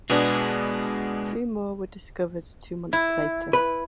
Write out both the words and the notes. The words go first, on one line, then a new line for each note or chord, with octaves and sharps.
Two more were discovered two months later.
B2 G#3 B3 D4 G#4
E4
B4